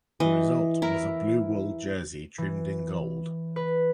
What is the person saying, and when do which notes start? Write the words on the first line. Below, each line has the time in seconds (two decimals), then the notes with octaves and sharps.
The result was a blue wool jersey trimmed in gold.
0.20 E3 D#5
0.82 E4 A#4
2.38 E3
3.56 B4